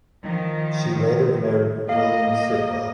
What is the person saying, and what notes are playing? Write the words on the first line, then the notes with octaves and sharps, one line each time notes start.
She later married William Sitwell.
D#3 F3
A#3 D#5 F5